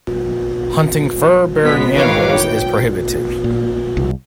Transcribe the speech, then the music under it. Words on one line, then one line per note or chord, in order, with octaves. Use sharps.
Hunting furbearing animals is prohibited.
B2 G#3 B3 B6
D#3 E3 B4 C#5 F5 D6
G5
A#2
C2